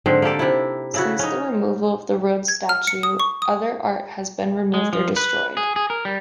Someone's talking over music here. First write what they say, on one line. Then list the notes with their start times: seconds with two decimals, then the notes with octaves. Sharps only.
Since the removal of the Rhodes statue, other art has been removed or destroyed.
0.06 G#2 D3 C4
0.22 A#3 G4 A4 D5
0.39 C3 E4
0.94 C#3 E4 F#4
1.19 C#4 D#4
2.48 G#6
2.69 F6
2.87 C#7
3.03 D#6
3.20 C#6
3.42 D#6
4.74 G#3
4.93 F3
5.16 B4
5.57 G#4
5.76 G#4
5.90 A#4
6.05 G3